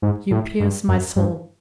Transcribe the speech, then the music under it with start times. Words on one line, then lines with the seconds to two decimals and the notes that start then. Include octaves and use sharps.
You pierce my soul.
0.02 G#2
0.31 A2
0.60 G2
0.88 F#2
1.16 G2